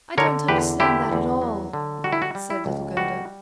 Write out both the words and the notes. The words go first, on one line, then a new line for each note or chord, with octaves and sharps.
"I don't understand that at all," said little Gerda.
D3 A#4 C#5
E2 G4 B4
D3 E4 G4
E2
F#3
D3
G3 F#4
E4
F#4
G3
E4
C#2
G3 F#4